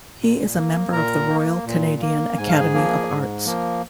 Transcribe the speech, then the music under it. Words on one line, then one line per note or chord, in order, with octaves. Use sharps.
He is a member of the Royal Canadian Academy of Arts.
A#2
A#3
A#2 A#4 A#5
A#3
A#2
A#3
G#2 G#5
F5
G#4 G#5
F3 A#3
G#2
F3 A#3